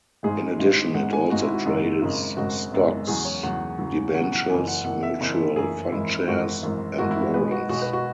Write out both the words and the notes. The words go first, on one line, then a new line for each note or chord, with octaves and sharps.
In addition, it also trades stocks, debentures, mutual fund shares, and warrants.
G#1 G#2 G#3 G#4
G#1 G#2 G#3
G#1 G#2 G#3 F#5
G#5
G#1 G#2 G#3 F#4
E4
F#4
G#1 F#2 C#3 G#3
G#1 F#2 C#3 G#3
G#1 F#2 C#3 G#3 F#4
G#1 F#2 C#3 G#3
E2 C#3 F#3 G#4
C#5
E2 C#3 F#3 F#5
E2 C#3 F#3
E2 C#3 F#3 F#5
F#5
F#1 F#2 E3 G#5
F#5
F#1 F#2 E3 F#5
E5
F#1 F#2 E3
F#1 F#2 E3 G#4
G#1 F#2 E3 G#3 E4
G#1 F#2 E3 G#3 F#4
G#1 F#2 E3 G#3
G#1 F#2 E3 G#3 F#4
E4
F#4
B1 B2 G#3 B4
F#4
B1 B2 G#3 F#4
B4
F#4